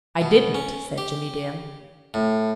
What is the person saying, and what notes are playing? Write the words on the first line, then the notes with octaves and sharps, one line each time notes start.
"I didn't," said Jimmie Dale.
B2
C#4
G4
A2